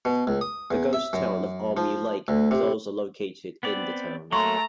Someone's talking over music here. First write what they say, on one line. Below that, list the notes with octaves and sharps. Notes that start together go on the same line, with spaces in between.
The ghost town of Army Lake was also located in the town.
B2
C#2
D#6
E2
E5
F#2
F3
D2
C3
B3 C4 D5
F#3 A3 A#3 A#5 C6 C#6